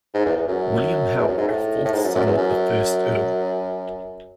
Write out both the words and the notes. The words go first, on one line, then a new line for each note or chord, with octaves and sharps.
William Howard, fourth son of the first Earl.
G#2
E2
E2
F#2
E2
F#2
G#2
A2
A2
G#2
F#2
F#2
E2
F#2